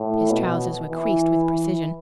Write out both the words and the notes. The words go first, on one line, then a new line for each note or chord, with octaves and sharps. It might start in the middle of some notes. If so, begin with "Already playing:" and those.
His trousers were creased with precision.
Already playing: A2
B2
E3